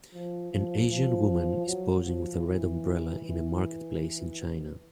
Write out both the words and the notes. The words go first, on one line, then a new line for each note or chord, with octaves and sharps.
An Asian woman is posing with a red umbrella in a marketplace in China.
F3
F3
F3
F#3
F3
E3
E3